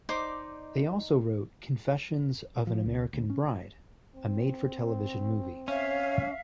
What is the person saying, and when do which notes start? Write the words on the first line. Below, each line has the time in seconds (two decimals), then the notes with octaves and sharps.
They also wrote "Confessions of an American Bride", a made for television movie.
0.09 D#4 C5 D5 D6
2.67 F3
2.86 C#2
3.13 D2
3.30 C#4
4.15 C4
5.68 C#4 C#5 E5 F5